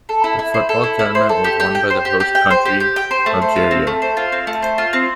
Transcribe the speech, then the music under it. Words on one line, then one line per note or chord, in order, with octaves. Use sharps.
The football tournament was won by the host country Algeria.
A4
E4
E4
C5
A4
E4
E4
C5
A4
G4
G4
G5
C5
G4
G4
G5
C5
G4
G4
G5
C5
A3
C5
F4
C4
A3
C5
F4
C4
A3
C5
F4
C4